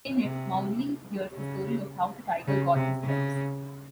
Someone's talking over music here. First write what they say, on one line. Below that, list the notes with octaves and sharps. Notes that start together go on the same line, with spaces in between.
In it, Mowgli hears the story of how the tiger got his stripes.
C3
C#3
C#3
C3
C#3